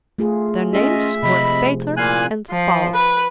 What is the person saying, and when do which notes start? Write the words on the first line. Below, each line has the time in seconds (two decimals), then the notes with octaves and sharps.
Their names were Peter and Paul.
0.19 A3 F4 G#4
0.73 C#4 F4 G#4 D#5 E5
1.23 C3 F3 D#5 B5
1.97 A#2 A#3 E4 F5 G#5 F#6
2.50 F3
2.95 B4